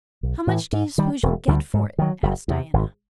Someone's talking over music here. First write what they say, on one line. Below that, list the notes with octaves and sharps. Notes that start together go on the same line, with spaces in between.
"How much do you suppose you'll get for it?" asked Diana.
B1
A2 E3
G#2
D#3 G3
E1
D2 D3 G3
G#2
D#3 F#3
F#1
E2 C3
G#1